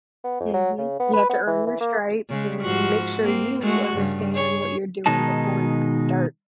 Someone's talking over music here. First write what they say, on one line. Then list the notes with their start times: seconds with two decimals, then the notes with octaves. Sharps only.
Mhm. You have to earn your stripes and make sure you understand what you're doing before you can start.
0.24 B3
0.40 F2
0.54 F#3
0.78 C#3
1.00 B3
1.13 B4
1.29 B3
1.47 E3
1.67 E3
1.80 A#3
2.29 C#3 G#3
2.61 G#2 F3 F#4
3.20 A#3 C4
3.61 G#3 A3 F#4
3.94 G2 C#3
4.31 G#4 C#5
5.06 B2 D#3 G#3 D#4 A5